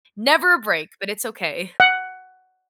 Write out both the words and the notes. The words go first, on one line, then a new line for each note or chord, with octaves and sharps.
never a break, but it's okay.
F#5